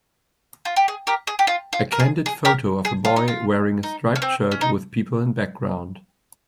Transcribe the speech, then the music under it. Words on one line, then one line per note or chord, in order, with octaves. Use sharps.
A candid photo of a boy wearing a striped shirt with people in background.
F4
G4
G#4
G4 A#4
G#4
G4
F4
F4
A#4
G#4
G#4
G4 A#4
G#4
F4
D#4
F4
D#4
C#4
C4
C#4
D#4